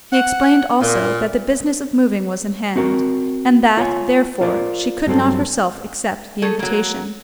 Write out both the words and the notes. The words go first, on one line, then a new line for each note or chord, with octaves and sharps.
She explained also, that the business of moving was in hand, and that, therefore, she could not herself accept the invitation.
F#5
A#2
C4 F#4 A#4
F4 C#5 G5 G#5
F4 A#4 C5 D5
G2 F#3 C4 A4
A3 G#4 A4
F#3 A#3